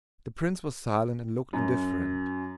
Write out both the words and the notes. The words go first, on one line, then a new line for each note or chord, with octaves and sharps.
The prince was silent and looked indifferent.
F#2